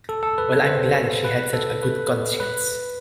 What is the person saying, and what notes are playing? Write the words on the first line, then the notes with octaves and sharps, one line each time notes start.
Well, I'm glad she had such a good conscience.
A4
A4
B4
B4
C5
B4
A4
B4
B4